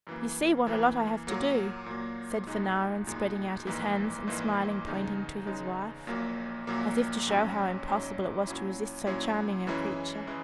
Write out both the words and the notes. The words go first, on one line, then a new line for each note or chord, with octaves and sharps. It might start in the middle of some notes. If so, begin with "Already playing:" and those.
"You see what a lot I have to do," said Fanarin, spreading out his hands and smilingly pointing to his wife, as if to show how impossible it was to resist so charming a creature.
F#2 E3 A#3
F#2 E3 A#3
A#2 F#3 A#3
A#2 F#3 A#3
B1 A#2 G#3 D#4
B1 A#2 G#3 D#4
A#1 G#2 E3 A#3
A#1 G#2 E3 A#3
E2 C#3 G#3 D#4
E2 C#3 G#3 D#4
A#1 A#2 F#3 A#3
A#1 A#2 F#3 A#3
A#1 G#2 F#3 C#4
A#1 G#2 F#3 C#4
A#2 F#3 C#4 E4
A#2 F#3 C#4 E4
F#2 E3 G#3 C#4 E4
E3 G#3 C#4 E4